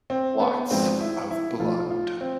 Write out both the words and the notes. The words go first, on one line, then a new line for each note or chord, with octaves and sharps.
Lots of blood.
C4
B3
G#1 G#2 F3 C4
E4
E4
B1 A2 F3 F4
F4
C4